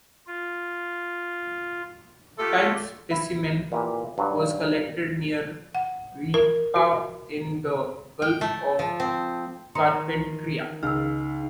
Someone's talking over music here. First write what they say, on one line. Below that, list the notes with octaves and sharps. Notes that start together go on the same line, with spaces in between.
Type specimen was collected near Weipa in the Gulf of Carpentaria.
F4
A3 F4 G4 A4
E4
A#2 E3 G4
G2 F#3
F#5
A#4
F#4
G5
A3
F3
C4
D#3 A#5 C6 C#7
C#2 D#4 E6 F6